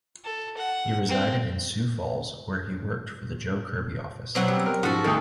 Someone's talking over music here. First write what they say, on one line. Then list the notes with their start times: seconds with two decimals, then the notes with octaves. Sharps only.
He resided in Sioux Falls, where he worked for the Joe Kirby office.
0.25 A4
0.57 F#5
1.09 C4
4.35 B2 F#3 C4 F#5
4.48 G3
4.66 A#4
4.83 G#2 F3 C#4 F#4 A4
5.04 D2 D#3 G#4 A4